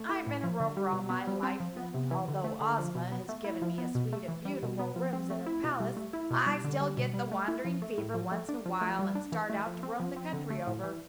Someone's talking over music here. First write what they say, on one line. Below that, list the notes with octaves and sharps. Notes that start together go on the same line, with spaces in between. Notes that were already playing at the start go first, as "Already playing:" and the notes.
I've been a rover all my life, and although Ozma has given me a suite of beautiful rooms in her palace I still get the wandering fever once in a while and start out to roam the country over.
Already playing: A3
E4
A2
F3
D3
G3
B2
B3
G3
C4
F3
B3
C3
E3
D3
A3
D3
F3
B2
B3
A3
E4
F3
B3
B2
A3
E3
G3
B2
B3
F3
C4
A3
E4
B2
G3
A3
E4
B2
G3
D3
G3
B2
G3
A3
E4
F3
A3
A2
F3
A3
D4
F3
A3
G3
D4
E3
A3
F3
C4
F3
C4
D3
A3
A2
E3